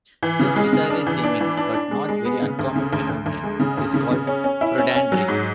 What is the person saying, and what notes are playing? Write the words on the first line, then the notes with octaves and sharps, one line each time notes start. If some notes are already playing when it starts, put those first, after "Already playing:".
This bizarre-seeming, but not very uncommon phenomenon is called protandry.
E3
C#3
G#3
C#3
D4
E3
D4
E3
D4
D4
G#3
G#3
B3
C#3
D2
C#3
D2
D2
D2
G#3
C#3
D2
C#3
C#3
C#4
C#4
E4
C#4
C#4
F#3
G#2